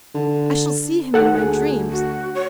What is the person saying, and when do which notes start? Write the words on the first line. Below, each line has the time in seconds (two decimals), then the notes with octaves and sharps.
I shall see him in my dreams.
0.15 D3
1.14 D#2 A4 F#5
1.36 D2 G#4
1.90 F#4
2.35 C#5